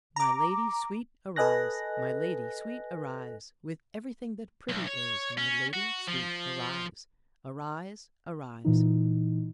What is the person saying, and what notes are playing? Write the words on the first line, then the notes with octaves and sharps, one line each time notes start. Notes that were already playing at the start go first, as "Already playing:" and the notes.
"My lady sweet, arise! My lady sweet, arise With everything that pretty is, My lady sweet, arise; Arise, arise."
A#5 D6
A4 B4 D#5 G#5 F#6 A#6
B1
C#5
C#4
F#4
F3
A#2 E3 D#4